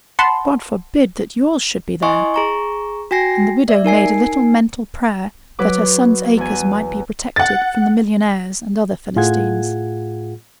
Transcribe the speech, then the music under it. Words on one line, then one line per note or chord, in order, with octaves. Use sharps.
"God forbid that yours should be there!" And the widow made a little mental prayer that her son's acres might be protected from the millionnaires and other Philistines.
F#5 A5 B5 C6
E4 D#5 G#5 C6 C#6
G#4 A#5 C#6
F#4 G5 G#5 A#6 C7
D5 E5
D#4 A#4 G#5 C7
F#3 B4 D6
E2 B3 G#5
F#5 A6
A2 F4 G#4 F#5 G#6